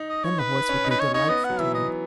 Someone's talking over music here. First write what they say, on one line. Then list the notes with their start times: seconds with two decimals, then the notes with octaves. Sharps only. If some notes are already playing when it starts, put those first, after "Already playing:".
Then the horse would be delightful to him.
Already playing: D#4
0.09 D#5
0.24 C#5
0.39 B4
0.69 C#4
0.84 D#4
0.91 B4
0.99 D#4 C#5
1.14 D#4 C#5
1.29 B3 D#5
1.45 F#5
1.50 F#3
1.60 E3 E5
1.74 D#5